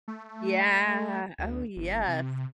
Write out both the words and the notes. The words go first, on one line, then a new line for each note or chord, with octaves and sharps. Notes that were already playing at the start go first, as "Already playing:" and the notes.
Yeah, oh, yes.
A3
D2
G1
C3